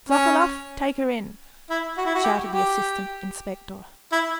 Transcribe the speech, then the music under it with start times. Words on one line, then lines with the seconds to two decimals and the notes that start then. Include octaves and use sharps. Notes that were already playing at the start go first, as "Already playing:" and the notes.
"Sokoloff, take her in!" shouted the assistant inspector.
0.09 C#4
1.70 E4
1.98 F#4
2.06 E4
2.15 F#4
2.24 G4
2.51 G4
4.12 E4